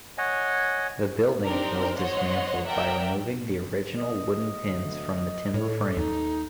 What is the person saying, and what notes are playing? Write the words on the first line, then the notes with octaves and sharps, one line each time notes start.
The building was dismantled by removing the original wooden pins from the timber frame.
C#5 D#5 F#5 G#5
C4 D4 D#4 G4 A#4
C5 C#5 D#5 F#5 C6
A#4 D5 E5 F#5 G5
D#5
D2
A2 A4 C#5
D#2 D#4